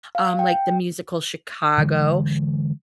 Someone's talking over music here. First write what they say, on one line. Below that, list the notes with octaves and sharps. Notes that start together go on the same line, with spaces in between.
Um, like the musical Chicago,
F5
G5
D3 E3 G#3